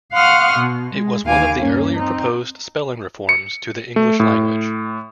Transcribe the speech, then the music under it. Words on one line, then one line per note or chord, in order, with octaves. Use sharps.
It was one of the earlier proposed spelling reforms to the English language.
F5 F#5 C6 C#6 D#6 F6
B2
G#3
D#2 F5 G#5 D6
G2 A#3 C#4
C4 D#4
C#7
A3
A2